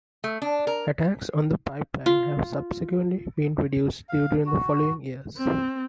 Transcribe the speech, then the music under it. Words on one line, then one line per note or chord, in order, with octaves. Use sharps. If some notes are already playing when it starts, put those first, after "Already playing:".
Attacks on the pipeline have subsequently been reduced during the following years.
A3
D4
A#4
F4
F5
F#4
C4